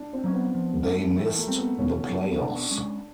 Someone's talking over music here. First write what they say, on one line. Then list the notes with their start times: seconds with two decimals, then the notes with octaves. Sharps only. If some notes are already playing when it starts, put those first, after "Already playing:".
They missed the playoffs.
Already playing: D4
0.13 C4
0.24 F#3 A#3 C#4
0.33 B3
0.55 F3
0.85 A3 D4
1.16 E3 A3
1.28 A3
1.37 A#3
1.47 G3 C4
1.58 B3
1.79 B2 C#4
2.09 F#3 A3
2.40 B2 D4
2.71 G#3 C#4